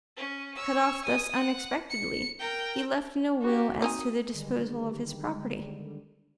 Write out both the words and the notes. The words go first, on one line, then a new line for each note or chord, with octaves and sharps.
Cut off thus unexpectedly, he left no will as to the disposal of his property.
C#4
C#5 E6
G#5 D#6
F#5
C#7
A#4 G5
F#4 G4
C4 D#4 G#5 D#6
D3 D#3 G3 G#3